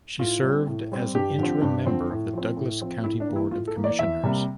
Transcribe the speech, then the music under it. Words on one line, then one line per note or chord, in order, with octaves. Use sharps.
She served as an interim member of the Douglas County Board of Commissioners.
A2 F4
G3 C4
A2
G3 C4
G2 G4
D3 F3 C4
G2
D3 F3 C4
A2
F3 C4
A2
F3 C4
A2 E4
D4
E3 A#3
E4
A2 F4
A4
E3 A#3
D5
E2 E5
C3 G3 A#3